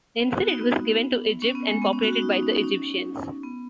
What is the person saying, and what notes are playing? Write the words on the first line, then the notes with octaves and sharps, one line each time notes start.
Instead, it was given to Egypt and populated by Egyptians.
B3
F#4
D#4
B3
C#4
B3
G#3
B3
C#4
F#4
F#4
D#4
D#4
C#4
D#4
C#4
B3